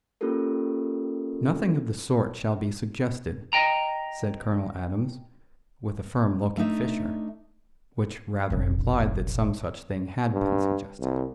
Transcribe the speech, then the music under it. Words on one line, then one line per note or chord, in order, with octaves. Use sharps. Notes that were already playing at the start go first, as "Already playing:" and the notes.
"Nothing of the sort shall be suggested," said Colonel Adams, with a firm look at Fischer, which rather implied that some such thing had been suggested.
A#3 C#4 F4 G4 A4 A#4
D#5 G5 A#5
A3 D4 D#4 E5
F1 A#1
G2
C2